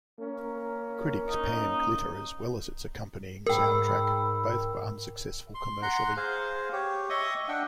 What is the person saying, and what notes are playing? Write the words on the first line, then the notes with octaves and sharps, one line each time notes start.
Critics panned "Glitter", as well as its accompanying soundtrack; both were unsuccessful commercially.
A#3 C#4 A#4
D#4
G#2 A#4 G5 B5 E6
C6
F#5 A#5 C6
G#4 C5 F5
G4 C#5
D#5 E5 C#6 D#6
D4 E5 F#5 G5